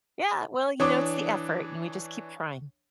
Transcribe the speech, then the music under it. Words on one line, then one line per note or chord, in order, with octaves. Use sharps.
Yeah, well, you know, it's the effort, and we just keep trying.
E3 D4 C#5 D6 D#6